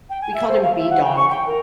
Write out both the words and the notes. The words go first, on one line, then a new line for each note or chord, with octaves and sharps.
We called him B-Dog,
G5
G#5
E5
C5
F5
E5
F#5
G5
C#6
G5
A#4